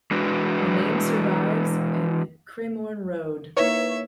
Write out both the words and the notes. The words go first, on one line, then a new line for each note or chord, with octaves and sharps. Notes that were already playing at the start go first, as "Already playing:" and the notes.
The name survives in Cremorne Road.
E3 G#3 D4 F#4 B4
A#3 D#4 E4 B4 C#5 E5